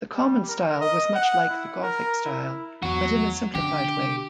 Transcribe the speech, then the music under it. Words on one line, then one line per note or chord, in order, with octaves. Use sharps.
The common style was much like the gothic style, but in a simplified way.
G3
A#4
D#5
F#5
E4
A#4
E4
E2 F#3 D#4 F#4
D3 D4 G4